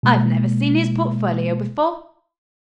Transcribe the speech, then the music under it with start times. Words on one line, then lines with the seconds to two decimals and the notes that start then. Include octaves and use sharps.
I've never seen his portfolio before.
0.03 B2 G#3 A#3